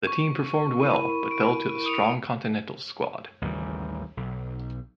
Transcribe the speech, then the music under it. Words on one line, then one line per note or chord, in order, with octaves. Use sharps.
The team performed well but fell to the strong Continentals squad.
C#6
E4 A#4 B5 D#7
D7
D#6 C#7 F7
A1 D#2 C#3 G3
B1